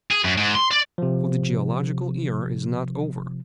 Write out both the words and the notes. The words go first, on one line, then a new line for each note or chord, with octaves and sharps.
For the geological era is not over.
G#4
F#2
G#2
C6
D5
C3 F3